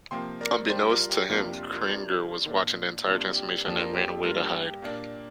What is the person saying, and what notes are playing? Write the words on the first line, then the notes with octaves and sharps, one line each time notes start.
Unbeknownst to him, Cringer was watching the entire transformation and ran away to hide.
C3 F3 A#3 G5 C6
A#4 D5
G2 G3 D4 G4 C5
F4 A#4
G4
F2 C3 G3 A#3 D4 F4 A#4
G4
F4
F4 A#4
C3 G3 D4
A#2 A#3 D4
C3 G3 A#3 D4 F4
G4
F2 F3 A#3 D4 G4
F4 A#4
G4
G4
G2 G3 A#3 F4 A#4
G4
G4
A#2 A#3 D4